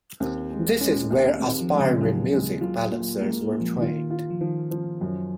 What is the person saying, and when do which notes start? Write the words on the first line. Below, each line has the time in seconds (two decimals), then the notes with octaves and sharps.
This is where aspiring music balancers were trained.
0.20 D#2 C4
0.51 G#3
0.81 G#3 C#4
1.10 D#2
1.40 D#2 C4
1.61 F3
1.71 G#3
1.81 C#3
2.01 D#2 F#3
2.31 G#3
2.61 F#3 F4
2.91 A#2
3.21 G#3 A#3
3.41 G#3
3.50 A#2
3.61 F3
3.77 C#3
3.81 D#3 F4
4.10 F4
4.30 F3
4.41 D#3 F3
4.71 F3
5.01 F#2